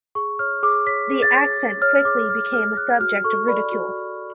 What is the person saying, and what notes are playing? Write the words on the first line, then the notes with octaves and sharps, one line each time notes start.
The accent quickly became the subject of ridicule.
G#4 C#6
C#5 F6
G#4 D6
C#5 B6
G#4
A6
C#5
G#4
C#5 F6
G#4 D6
C#5 F6
G#4 F6
C#5 F#6
F#4 F6
A4 C#6
D5 B5
F#4
F#4